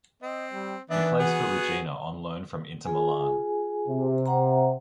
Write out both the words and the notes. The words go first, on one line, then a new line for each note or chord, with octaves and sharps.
He plays for Reggina on loan from Inter Milan.
C4 D#5
G3
D#3 E3 B3 D4 E5
B3 F#4 G#4 F#5
F4 G#4 G#5
C3
C5 F#5 A#5